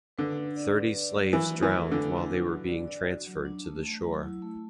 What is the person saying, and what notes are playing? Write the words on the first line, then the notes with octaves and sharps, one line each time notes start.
Thirty slaves drowned while they were being transferred to the shore.
D3 B4
D4
D5
B4
D5
F#3
E3 F#4
A3
E3
A4
D3 A3
F#4
F#3
F#4
D5
D5
F#4
F#3
D4
A3
A3
F#3
E4
A3